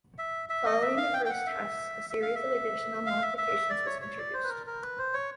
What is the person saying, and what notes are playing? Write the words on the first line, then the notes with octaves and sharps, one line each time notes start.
Following the first tests, a series of additional modifications was introduced.
E5
E5
D#5
E5
F5
G5
G5
F#5
E5
E5
F5
E5
F5
E5
E5
D5
C#5
C#5
D5
C5
B4
A#4
A#4
B4
C5
C#5